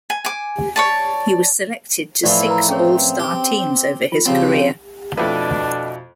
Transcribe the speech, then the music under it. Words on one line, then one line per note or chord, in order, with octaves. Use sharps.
He was selected to six All-Star teams over his career.
G#5
G#5 D6
C#5 D5 A5
A2 E3 F3 E4 D5
A#4 B4 A#5
C4 C#4 G#4 C#5
G4
F4
C#3 F3 C4 G4
F2 B2 A3 D4 E4 B4